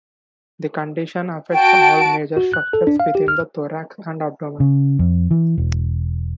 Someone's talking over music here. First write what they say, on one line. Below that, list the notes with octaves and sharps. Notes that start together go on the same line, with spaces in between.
The condition affects all major structures within the thorax and abdomen.
F#4 G5 A5 D7
F#4
F#6
A4
D4
F5
G4
F6
C#3
F2
E3
E1